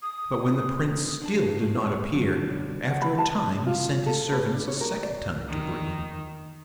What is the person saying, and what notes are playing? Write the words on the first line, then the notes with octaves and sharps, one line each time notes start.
But when the Prince still did not appear, after a time he sent his servants a second time to bring him.
D#6
D3 D4 A5
A3 G#4
E2 B3 C#5
D3 F#3
B2 G3
F#5
B5
A5
F4
A4
B4
D4
C#5
A#4
D5
D#3